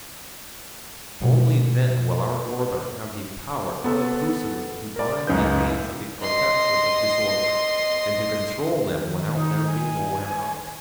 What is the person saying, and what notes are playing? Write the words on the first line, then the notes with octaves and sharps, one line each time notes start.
Only then will our order have the power unobtrusively to bind the hands of the protectors of disorder and to control them without their being aware of it.
B2 A3
B3 A4 E6
A#4 D5
C#2 F#2 C#4 D#4 B4 G6
E4
D#5 C6
D#3
D#4
G#5